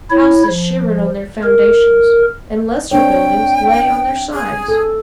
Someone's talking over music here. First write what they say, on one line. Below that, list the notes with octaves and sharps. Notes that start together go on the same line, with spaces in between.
Houses shivered on their foundations, and lesser buildings lay on their sides.
E4 C#5
F3
A#4
C4 D4 C#5 G5
G#4
A4